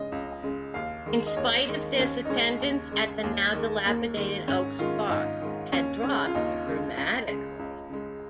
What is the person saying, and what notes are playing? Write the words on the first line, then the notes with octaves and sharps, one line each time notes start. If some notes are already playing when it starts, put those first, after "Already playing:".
In spite of this, attendance at the now-dilapidated Oaks Park had dropped dramatically.
Already playing: C#3 G#3 D#5
C#2
C#3 G#3
D#2 F5
D#3 G#3
D#5
D#2 C#5
D#3 G#3
A#3
D#2 C#4
D#4
C#3 G#3 C#4
D#2
C#3 G#3
D#2
D#3 G#3
D#2 A#3
D#3 G#3
G#2 C#4
D#3 G#3 F4
G#2 D#4
D#3 G#3
D#2 C#4
C#3 G#3 C#4
F4
D#2 D#4
C#3 G#3
C#2
C#3 G#3
C#2
C#3 G#3